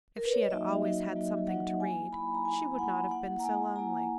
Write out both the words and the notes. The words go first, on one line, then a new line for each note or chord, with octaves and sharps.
If she had always had something to read, she would not have been so lonely.
A#4
B4
C#5
D#5
F#3 A#3 D#4 F#4 E5
F#3 A#3 D#4 F#4
F#3 A#3 D#4 F#4
F#3 A#3 D#4 F#4 F#5
A#3 E4 G#5
A#3 E4 B5
A#5
A#3 E4 G#5
A#3 E4 F#5
A#3 E4 F#5
A#5
A#3 E4 G#5
A#3 E4 A#5